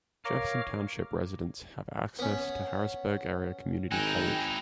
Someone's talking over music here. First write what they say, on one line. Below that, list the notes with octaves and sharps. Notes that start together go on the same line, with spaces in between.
Jefferson Township residents have access to Harrisburg Area Community College.
A#4 C#5 F5 A#5 D6 F6
B3 C#4
G#1 D#4 E4 G5 G#5 F#6